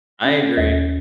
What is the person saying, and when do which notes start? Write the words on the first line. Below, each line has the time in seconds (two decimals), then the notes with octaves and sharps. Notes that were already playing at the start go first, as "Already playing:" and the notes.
I agree.
0.24 C#4
0.57 D#2